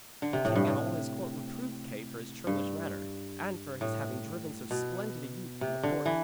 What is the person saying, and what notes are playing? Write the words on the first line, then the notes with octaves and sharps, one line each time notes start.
The king and all his court reproved Kay for his churlish manner, and for his having driven so splendid a youth from the court.
D3
C3
A2
G2
A2
G2
A2
B2
C3
D3
E3